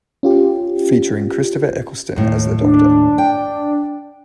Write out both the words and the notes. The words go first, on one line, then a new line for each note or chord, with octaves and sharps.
Featuring Christopher Eccleston as The Doctor.
C#4 F4 G4
D#2 A2
D4
G5